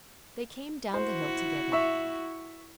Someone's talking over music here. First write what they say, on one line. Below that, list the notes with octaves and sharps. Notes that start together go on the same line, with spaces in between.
They came down the hill together.
E4 F#4 C5
E5 C#6